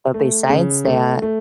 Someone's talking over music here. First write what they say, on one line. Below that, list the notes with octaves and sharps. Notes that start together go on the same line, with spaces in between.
but besides that,
A3
C#3
A3
A3